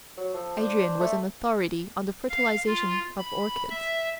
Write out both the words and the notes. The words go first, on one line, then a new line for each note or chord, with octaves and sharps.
Adrian was an authority on the fertilization of orchids.
F#3
F3 A4
D4 C5
A3
F5
F4
B5
E5